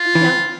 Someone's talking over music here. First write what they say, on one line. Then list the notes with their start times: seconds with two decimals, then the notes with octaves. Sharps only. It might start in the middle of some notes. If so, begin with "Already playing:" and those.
You know
Already playing: F4
0.15 E3